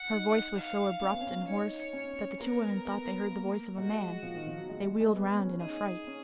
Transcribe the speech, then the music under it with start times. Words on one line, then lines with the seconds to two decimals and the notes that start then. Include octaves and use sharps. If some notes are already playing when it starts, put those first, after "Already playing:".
Her voice was so abrupt and hoarse that the two women thought they heard the voice of a man; they wheeled round in affright.
Already playing: F#5
0.09 D#4
0.56 F5
1.01 C#4
1.11 B3
1.21 C#4
1.47 D#4 C#5
1.93 C#4
2.40 B3 A#4
2.85 B3
3.31 A#3
3.77 G#3 F#4
4.23 F3
4.35 D#3
4.47 F3
4.57 F#3
4.70 G#3
4.84 G#3
5.00 G#3
5.15 B3
5.38 C#4
5.60 D#4 G#4
6.07 C#4